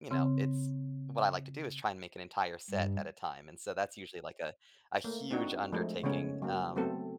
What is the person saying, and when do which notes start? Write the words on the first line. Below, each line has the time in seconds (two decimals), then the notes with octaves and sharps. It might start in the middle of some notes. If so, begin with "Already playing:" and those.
you know, it's What I like to do is try and make an entire set at a time, and so that's usually like a a huge undertaking, um
0.11 C#3 C4
2.70 G2
5.04 A3 A#3
5.31 C4 D4 D#4 F#4
5.72 F3 G#3 A3
6.03 C#3 G#3 A3 B3 C#4 C#5
6.42 F#3 A#3
6.76 F#3 A3 B3 C4 A4